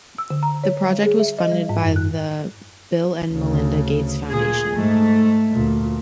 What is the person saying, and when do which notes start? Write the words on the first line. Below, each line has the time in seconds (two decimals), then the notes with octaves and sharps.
The project was funded by the Bill and Melinda Gates Foundation.
0.18 E6
0.30 D3
0.43 A#5
0.64 C#5
0.86 G3
1.03 G#4
1.19 E5
1.39 D#5
1.52 G3
1.69 G#2
1.82 F#2
1.96 F#6
3.31 D2 C#3
4.29 A#2 G#4
4.76 G#2 A3
5.51 D2 A#2